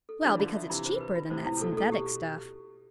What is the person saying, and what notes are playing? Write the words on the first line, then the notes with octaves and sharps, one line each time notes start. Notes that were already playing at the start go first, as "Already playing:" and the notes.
"Well, because it's cheaper than that synthetic stuff."
A4
E3 G3 D4
D3 F3 B5
E5
C3 E3 B5
C5
B4
F4
A2 C3 C5
E4
C3
B2 A4
A2
B2 A4
G4